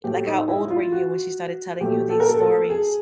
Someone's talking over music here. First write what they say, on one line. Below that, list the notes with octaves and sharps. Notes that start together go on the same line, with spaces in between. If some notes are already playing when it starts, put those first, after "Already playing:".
Uh, like, how old were you when she started telling you these stories?
A2 F#3 A3 G4
D#4
E4
F4
F#4
A#2 F#3 A3 G4
A4
A#4
A4
A4
G#4